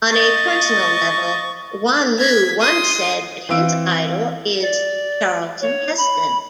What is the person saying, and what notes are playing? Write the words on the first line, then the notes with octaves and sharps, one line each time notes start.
On a personal level, Wanloo once said that his idol is Charlton Heston.
D#5 C#6 A6
G#6 B6
C6 D#6
E3 C4 F5 E6 D7
D5
C#5
B5